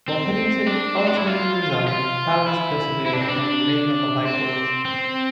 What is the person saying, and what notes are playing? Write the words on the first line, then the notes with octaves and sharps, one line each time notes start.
While Piddington ultimately resigned, Powers persevered, and remained on the High Court.
C4
D4
C4
D4
E4
F4
F4
E4
E4
D4
C4
D4
C4
C4